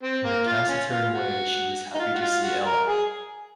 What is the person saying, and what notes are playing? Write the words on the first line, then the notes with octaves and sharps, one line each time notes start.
In a taciturn way she was happy to see Ella.
C4
A#3
F4
C#4
F4
F#4
D#4
F4
F#4
F4
F#4
A#4
G#4